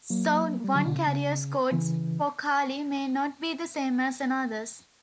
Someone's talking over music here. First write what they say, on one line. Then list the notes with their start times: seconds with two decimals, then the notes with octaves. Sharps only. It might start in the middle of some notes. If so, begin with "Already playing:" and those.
So one carrier's codes for Cali may not be the same as another's.
0.10 F#3 A#3
0.64 G3
0.75 D3 F#3
0.85 B2 D3
0.96 C#3
1.07 C#3
1.72 C#3 E3